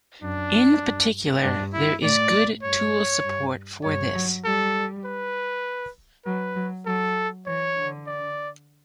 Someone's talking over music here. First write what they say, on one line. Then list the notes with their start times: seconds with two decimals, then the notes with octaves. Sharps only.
In particular, there is good tool support for this.
0.22 F#2 D4
0.82 G2
1.42 G2 D4
1.73 E4
2.03 A2 D5
2.63 G2 C#5
3.24 G2
3.84 G2 C#5
4.14 F#3
4.45 G3 A4
5.05 B4
6.25 F#3 B4
6.56 F#3
6.86 F#3 A4
7.46 E3 C#5
7.77 D3
8.07 D5